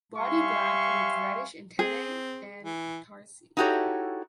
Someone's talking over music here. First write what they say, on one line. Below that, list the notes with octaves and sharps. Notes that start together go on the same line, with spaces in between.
Body black with reddish antennae and tarsi.
G3 E5 F5 G#5 C6 C#6
C4 G#4
E3
D#4 E4 F#4 G4 A4 C#5